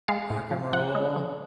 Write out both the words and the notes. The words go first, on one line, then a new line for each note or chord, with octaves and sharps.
Rock and Roll,
G#3 F5
A2
F3
F3 F#5
G#3
F3